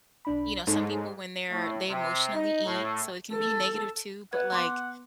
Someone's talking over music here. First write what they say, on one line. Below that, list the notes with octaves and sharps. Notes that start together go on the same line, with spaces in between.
you know, some people when they're they emotionally eat, so, it can be negative too, but like
B1 D4 B5
G#2 A4 C#5
A2
C3
D#4
A2
A4
B4 F#5 G#6
B3 C6 D6